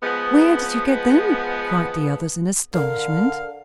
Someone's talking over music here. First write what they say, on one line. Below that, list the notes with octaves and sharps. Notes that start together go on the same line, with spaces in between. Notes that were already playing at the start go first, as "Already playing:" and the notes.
"Where did you get them?" cried the others in astonishment.
F3 G#3 B3
D3 A#4 F5